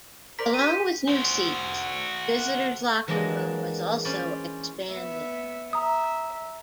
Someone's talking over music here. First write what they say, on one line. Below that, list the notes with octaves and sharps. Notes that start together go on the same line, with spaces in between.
Along with new seats, the visitors' locker room was also expanded.
A#4 C5 D5 B6
G4 C5 D#7
F#4 C5
E3 F#3 G#3 A#3 D4 D#5
C#4 C5 D5 B5
B3 E5
E5 A#5 D#6